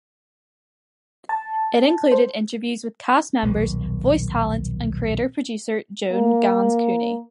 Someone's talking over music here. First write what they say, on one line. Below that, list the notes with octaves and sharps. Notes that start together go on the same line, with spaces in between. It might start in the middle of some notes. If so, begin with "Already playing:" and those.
It included interviews with cast members, voice talent, and creator-producer Joan Ganz Cooney.
A5
C5
D#1 B1
A#3